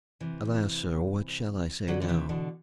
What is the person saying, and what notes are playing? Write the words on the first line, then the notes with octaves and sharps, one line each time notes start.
Alas, sir! what shall I say now?
C3 E3
D3 F#3
D3
C3 E3
B2 D3